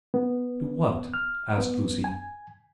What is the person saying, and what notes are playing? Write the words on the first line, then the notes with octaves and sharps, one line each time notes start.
'Do what?' asked Lucy.
B3
F6
B3
G#5